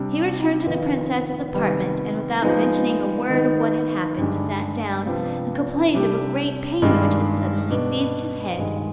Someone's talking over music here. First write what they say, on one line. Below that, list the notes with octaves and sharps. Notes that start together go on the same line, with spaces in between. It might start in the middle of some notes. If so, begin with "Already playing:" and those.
He returned to the princess's apartment, and without mentioning a word of what had happened, sat down, and complained of a great pain which had suddenly seized his head.
Already playing: C3 G3 D4 G4
F2 D#3 B3 F4
C3 D#3 G3 B3
F3 G#3 B3 D#4
D#3 B3 D#4
G2 D3 G#3 D4
C3 F3 B3 D4
C3 G3 D4 G4
G2 D#3 G#3 D4
B2 B3 D4
G2 D#3 G#3